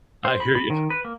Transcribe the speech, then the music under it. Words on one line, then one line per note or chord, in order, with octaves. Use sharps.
I hear ya.
C5
B5
B5
D#3
B4
A#3